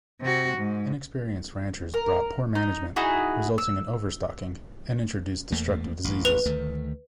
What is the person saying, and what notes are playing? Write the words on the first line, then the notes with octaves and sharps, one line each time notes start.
Inexperienced ranchers brought poor management, resulting in overstocking, and introduced destructive diseases.
C3 F#4
G#2
A#4
D#4
D#4 E4 F#4 G#4
E6
E2 A3 A#3
A1
B4 F7
D2 D#3 A3